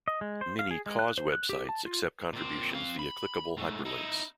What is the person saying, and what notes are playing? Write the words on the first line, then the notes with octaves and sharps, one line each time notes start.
Many 'cause websites' accept contributions via clickable hyperlinks.
D#5
G#3
C5
F5
G#4
G#3
F#6
C5
F#6
G4
A5
F4
A#2 C4
C4 F5
B5
G#2 A3
D#4 E4